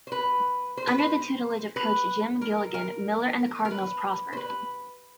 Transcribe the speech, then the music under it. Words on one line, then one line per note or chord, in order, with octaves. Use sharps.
Under the tutelage of Coach Jim Gilligan, Millar and the Cardinals prospered.
C5
B4
C5
B4
C5
B4
A#4
A#4
A#4
B4
C5
B4